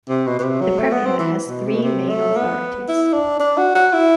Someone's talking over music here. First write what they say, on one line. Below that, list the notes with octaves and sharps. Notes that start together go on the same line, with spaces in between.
The premier has three main authorities.
C3
B2
B2
C3
F#3
A3
B3
C4
E3
B2
C3
B2
C3
A3
B3
E4
D4
D4
F#4
F#4
E4